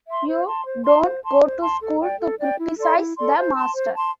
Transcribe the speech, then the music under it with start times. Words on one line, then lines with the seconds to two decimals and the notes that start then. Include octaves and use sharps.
You don’t go to school to criticize the master.
0.08 E5 C6
0.28 C5
0.46 A5 C6
0.65 C5
0.85 A5 C6
1.04 C5
1.24 A5 C6
1.44 C5
1.62 A5 C6
1.81 A4
2.01 D5 G5
2.21 A4
2.40 D5 G5
2.59 E4
2.78 A4 D5 C6
2.98 E4
3.17 A4 D5 C6
3.36 C5
3.56 A5 C6
3.75 C5
3.94 A5 C6